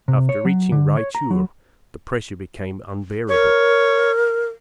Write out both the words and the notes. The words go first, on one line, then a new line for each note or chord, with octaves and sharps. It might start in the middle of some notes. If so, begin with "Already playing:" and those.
After reaching Raichur the pressure became unbearable.
C3
C#5
F#3
D3
C#5
A#5
F#3
A#4 C#5